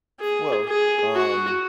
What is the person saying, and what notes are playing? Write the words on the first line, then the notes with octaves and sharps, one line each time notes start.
Well, um,
G#4
G#4
F#4